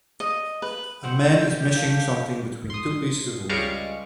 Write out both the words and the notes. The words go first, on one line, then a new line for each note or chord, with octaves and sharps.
A man is mashing something between two pieces of wood.
D#5
B4
C4 G4 F#5 G6
F5 A5
C6 D#6
C#2 G3 G#3 F5 C#6 D7